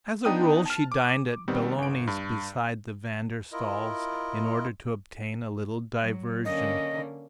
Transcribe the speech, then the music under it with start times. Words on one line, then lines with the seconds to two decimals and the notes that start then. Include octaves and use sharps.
As a rule she dined at Belloni's, beside the Van der Staals, in order to obtain a little diversion.
0.25 B3 D4 D#4 G5 D#6 D#7
0.66 A5 F6
0.92 D6
1.48 D#3 G3 B3 C4
1.78 G1 D7
2.07 G2
3.52 E4 F4 A#4 D#5
5.99 F#3
6.45 D3 A#3 C#4 D#5